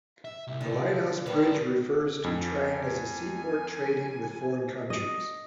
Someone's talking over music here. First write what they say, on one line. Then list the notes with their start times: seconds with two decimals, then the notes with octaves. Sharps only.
The lighthouse bridge refers to Trang as a seaport trading with foreign countries.
0.25 E5
0.47 C2
0.61 D3
1.26 D#3 G3 B3 A4 B4
2.24 F2 G#5
4.90 D#5